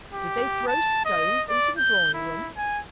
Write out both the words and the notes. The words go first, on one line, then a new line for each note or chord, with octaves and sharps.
Did they throw stones into the drawing-room?'
G4
A5
D#5
D5
G6
E4
G#5